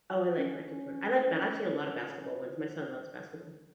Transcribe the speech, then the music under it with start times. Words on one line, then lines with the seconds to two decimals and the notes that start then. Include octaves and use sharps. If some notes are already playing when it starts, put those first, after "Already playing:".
Oh, I like Michael Jordan. I like ba I've seen a lot of basketball ones. My son loves basketball.
0.38 C#4